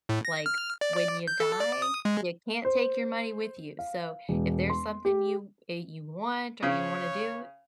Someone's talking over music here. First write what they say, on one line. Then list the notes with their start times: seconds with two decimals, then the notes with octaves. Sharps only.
Like, when you die, you can't take your money with you, so if there's something you that you want or you wanna do,
0.09 A2
0.25 A#6
0.46 F6
0.81 D5
0.96 D5
1.27 G6
1.40 A4
1.60 D5
1.82 D#6
2.05 G#3
2.65 C5
3.79 F5
4.29 E1
4.70 C6
5.05 G4
6.63 C#3 C#5